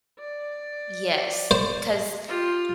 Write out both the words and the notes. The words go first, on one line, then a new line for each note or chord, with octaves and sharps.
Yes, 'cause
D5
C5
F4 G4